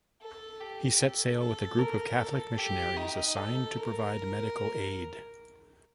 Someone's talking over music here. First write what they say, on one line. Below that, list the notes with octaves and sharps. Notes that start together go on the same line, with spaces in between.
He set sail with a group of Catholic missionaries assigned to provide medical aid.
A4
G4
A4
A4
A#4
A4
G4
D#4
A4
A#4